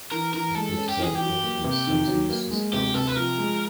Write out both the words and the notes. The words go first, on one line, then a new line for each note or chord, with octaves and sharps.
The fruit is edible and the stems are used as firewood.
E3 A#4
E3 A#4
G#3 A4
C#4
G4
E3 G#4
G4
F#3
A#3
C3
D#3
F#3
A#3
G#3
C3 G4
C3 A4
B4
F3 A#4
G#3